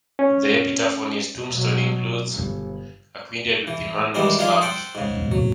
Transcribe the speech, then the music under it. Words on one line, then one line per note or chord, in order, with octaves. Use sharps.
The epitaph on his tombstone includes 'Acquainted with Emmanuel's Love'.
C#4
B2 F#3
G1
E3
D#3 E3 G3 G#3 C4 D4
F3 D4 D#4 F4 G#4 F5
A4 C5 F#5 G5
G#2 C#3
F#3